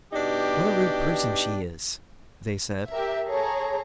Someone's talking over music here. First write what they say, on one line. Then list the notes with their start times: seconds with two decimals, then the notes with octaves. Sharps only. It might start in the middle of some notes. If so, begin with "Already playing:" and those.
"What a rude person she is!" they said.
0.13 B2 B3 D4 D#4 G4
2.91 G4 A#4 E5
3.26 G#4 A4 C#5 A#5